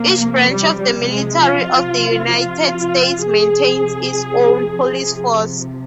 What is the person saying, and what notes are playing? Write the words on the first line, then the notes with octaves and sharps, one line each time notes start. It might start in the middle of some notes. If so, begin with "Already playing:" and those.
Each branch of the military of the United States maintains its own police force.
Already playing: C3 F3 A#3
G3
G3
G#3
F4
F4
C3 F3 G#4